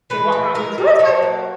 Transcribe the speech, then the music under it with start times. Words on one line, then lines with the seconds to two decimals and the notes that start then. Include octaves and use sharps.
they walk around going, "So where's my
0.10 E3 B4
0.32 E3
0.54 E3 A#4
0.78 G3
0.99 F#3 A4
1.22 A#3